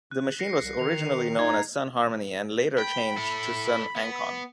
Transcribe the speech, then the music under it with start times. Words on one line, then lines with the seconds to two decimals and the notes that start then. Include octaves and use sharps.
The machine was originally known as Sun Harmony and later changed to Sun Ancon.
0.11 F#6
0.39 A#6 C7 C#7
0.61 C2
0.79 D#3 F7
1.39 D#4 G#6
2.78 G5 B5
3.17 E4 A4
3.96 B3